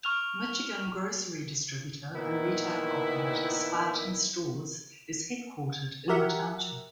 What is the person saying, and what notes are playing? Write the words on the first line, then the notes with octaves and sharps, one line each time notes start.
Michigan grocery distributor and retail operator Spartan Stores is headquartered in the township.
C#6 F6 F7
A#2 D#3 B3 E4
F#4 G4 A#4 E5 F#5